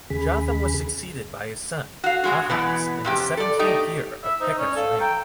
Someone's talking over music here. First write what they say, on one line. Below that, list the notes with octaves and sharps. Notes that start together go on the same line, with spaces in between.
Jotham was succeeded by his son, Ahaz in the seventeenth year of Pekah's reign.
D#2 C#3 G#4 B5
F#4 F5
F#3 G#3 F#4
B2 E3 B3
F2 C3 G4
A4 D5
A3 D#4 G4 D#5
E5
D#4 C5
C#4 D5
A4 F5
G5 A#5